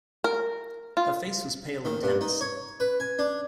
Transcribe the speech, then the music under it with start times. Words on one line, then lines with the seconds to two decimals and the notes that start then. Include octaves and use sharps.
Her face was pale and tense.
0.24 A#4
0.97 F4
1.85 D#3
2.03 G2
2.21 D#4
2.41 C#5
2.80 B4
3.00 G#5
3.19 D4